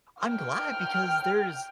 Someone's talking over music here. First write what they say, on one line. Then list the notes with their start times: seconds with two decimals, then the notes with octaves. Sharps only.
I'm glad because there's
0.24 G5 F6